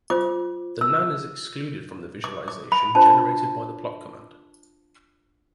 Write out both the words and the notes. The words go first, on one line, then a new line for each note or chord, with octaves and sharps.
The NaN is excluded from the visualization generated by the plot command.
F4 C5 D6
E6
D6
D6
B5
D4 F4 C5 A5